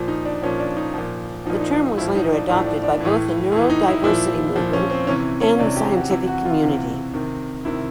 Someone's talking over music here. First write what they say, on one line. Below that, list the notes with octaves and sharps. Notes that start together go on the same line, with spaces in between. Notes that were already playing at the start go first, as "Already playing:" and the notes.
The term was later adopted by both the neurodiversity movement and the scientific community.
Already playing: A#2 F3
D#4
D4
A#2 F3 C#4
D4
D#4
A#2 F3
A#2 F3 D4 D#4
D#4
A2 F3 E4
D#4
D4
A2 F3 D4
D4
D4
A2 E3
A2 E3
D#4
E4
A#2 F3 E4
A#2 F3
C#4
C4
C3 E3 C#4
C#4
C3 E3 D4
G4
F#4
C3 E3 E4
F#4
F4
C3 E3
C3 D#3
C3 D#3 E4